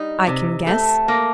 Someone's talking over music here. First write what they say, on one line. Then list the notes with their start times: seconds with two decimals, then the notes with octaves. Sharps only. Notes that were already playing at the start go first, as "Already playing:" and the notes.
"I can guess."
Already playing: G3 D#4
0.27 C3
0.67 A3
1.08 A#3